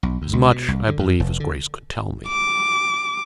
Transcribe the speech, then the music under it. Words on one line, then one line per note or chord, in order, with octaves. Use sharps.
"As much, I believe, as Grace could tell me."
B1
D2
C#2
B2
C2
D3
F2
F1
D3
D6